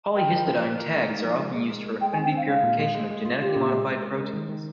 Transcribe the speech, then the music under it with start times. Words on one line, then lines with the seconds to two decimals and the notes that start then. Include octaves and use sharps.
Polyhistidine-tags are often used for affinity purification of genetically modified proteins.
0.16 A#4 G5
0.32 F3
0.47 F3
0.62 A#4
0.78 A#4
0.94 G#3
1.08 D#4
1.24 F3
1.40 G#3
1.55 G#3
1.70 A#4
1.86 G#3
2.01 G#3 G5
2.13 G#5
2.18 C4
2.25 G5
2.32 C4 F5
2.48 G#3 F5
2.63 A#2
2.79 G#3
2.95 G#3
3.11 G#3
3.25 F4
3.41 F4 G4
3.56 A#2
3.73 G#3
3.87 G#3
4.03 A#4
4.18 G#3
4.34 D#3
4.49 D#3